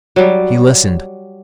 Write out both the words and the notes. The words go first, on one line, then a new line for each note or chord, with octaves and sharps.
He listened.
F#3 G3